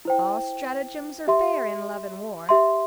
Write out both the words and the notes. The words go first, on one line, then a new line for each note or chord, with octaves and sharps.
"All stratagems are fair in love and war."
E4 C5 G5
G4 E5 C6
G4 E5 C6